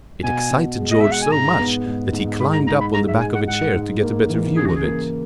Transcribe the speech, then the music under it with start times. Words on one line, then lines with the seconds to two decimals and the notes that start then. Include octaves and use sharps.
It excited George so much that he climbed up on the back of a chair to get a better view of it.
0.24 B2 G#5
0.51 B2
0.78 G#3
0.91 D#5
1.01 G#3 E5
1.11 F#5
1.22 G#5
1.32 G#2 A#5
1.59 B3
1.86 G#2
2.12 G#2
2.40 G#2 B5
2.53 A#5
2.67 G#2 A#5
2.81 B5
2.94 G#3 A#5
3.08 E5
3.21 G#3 G#5
3.35 F#5
3.48 G#2 F#5
3.76 G#2
4.02 A#3
4.30 E3
4.56 C#3 G#4
4.66 F#4
4.76 G#4
4.83 A#3